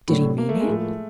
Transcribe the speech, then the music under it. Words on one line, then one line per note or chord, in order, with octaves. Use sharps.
"Did he mean it?"
A2 F#3 A3 D4
A#3
A3
G#3
A2 F3 A3 A#3